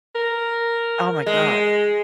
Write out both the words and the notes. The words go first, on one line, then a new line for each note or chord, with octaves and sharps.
Oh my god.
A#4
G#3